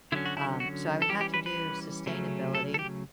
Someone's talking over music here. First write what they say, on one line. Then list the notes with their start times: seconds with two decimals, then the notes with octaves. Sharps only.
Um, so I would have to do sustainability
0.12 D3 F#3 C#4 E4
0.26 F#4
0.37 E4
0.60 F#4
1.02 A4
1.09 E3 G3 C#4 G4
1.21 G4
1.34 B4
1.46 B4
2.06 C#3 F#3 A3 C#4
2.55 A4
2.74 A4
2.79 G4